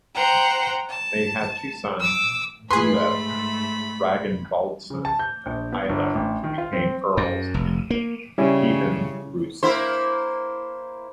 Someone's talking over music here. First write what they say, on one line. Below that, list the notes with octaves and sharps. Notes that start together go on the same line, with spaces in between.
They had two sons, Uleb Ragnvaldsson and Eilif, who became earls in Kievan Rus'.
C5 F#5 G5 A#5
A5
D6 E6
G#2 A3 G#4 B4 B5 C6
C#3
A5
G6
A#1
B3
G1
A1
D#3
F4
C4
F#2
F1
A#3
C#3 G3 C#4 E4
A#3 E4 C5